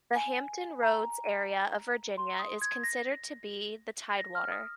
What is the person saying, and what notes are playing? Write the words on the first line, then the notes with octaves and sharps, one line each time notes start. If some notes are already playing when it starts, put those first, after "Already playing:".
The Hampton Roads area of Virginia is considered to be in the Tidewater.
G#5
A#5
C6
D#6
G#6
A#6
A#6
F6
D#6